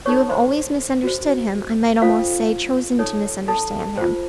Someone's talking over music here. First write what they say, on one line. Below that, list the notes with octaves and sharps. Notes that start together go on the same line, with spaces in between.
You have always misunderstood him, I might almost say, chosen to misunderstand him.
D#4 A4 C5 C#5 C#6
C5 C6
F#4 C5
C#4 F4 A4 C5 F5
D#4 A4 C#5
A4 A5
F4 C5